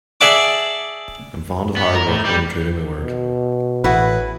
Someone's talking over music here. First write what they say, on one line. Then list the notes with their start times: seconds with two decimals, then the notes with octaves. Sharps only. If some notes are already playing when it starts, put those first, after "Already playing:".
I am fond of hard work, and am true to my word.
0.21 G#4 D5 E5 F#5 A5 D6
1.77 B3
1.95 A#4
2.08 A2
2.25 G3
2.99 B2
3.84 A1 E4 F#4 G#4 B4